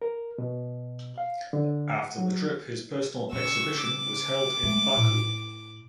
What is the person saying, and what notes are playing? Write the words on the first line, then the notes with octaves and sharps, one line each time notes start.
After the trip his personal exhibition was held in Baku.
A#4
B2
F5
D3
F#5
F#3
C#3 C#6 E6
D6
G#3 A3
A2